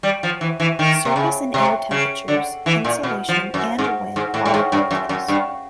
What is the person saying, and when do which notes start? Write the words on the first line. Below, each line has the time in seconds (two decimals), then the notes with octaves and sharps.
Surface and air temperatures, insolation, and wind all affect this.
0.03 G3
0.23 F3
0.41 E3
0.60 E3
0.79 D#3
1.05 C3
1.16 C#3
1.54 C3
1.91 C#3
2.28 D3
2.66 E3
2.85 A#2
3.03 B2
3.28 F3
3.54 F#2
3.78 G#2
4.16 G#2
4.34 A2
4.46 A2
4.54 G#2
4.72 G2
4.91 F#2
5.09 F#2
5.28 G2